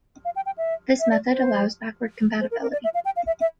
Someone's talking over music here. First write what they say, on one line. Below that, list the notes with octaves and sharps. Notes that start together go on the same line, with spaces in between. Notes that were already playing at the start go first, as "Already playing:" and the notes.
This method allows backward compatibility.
F5
G5
G5
E5
E5
D5
C5
C5
A#4
A#4
D5
E5
F5
G5
F5
E5
E5